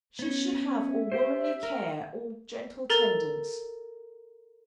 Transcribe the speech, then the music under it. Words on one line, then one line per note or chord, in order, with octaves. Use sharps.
She should have all womanly care, all gentle tendance.
B3 C#4
E5
G4 C5
A#4
A4 A#4 A#5 A6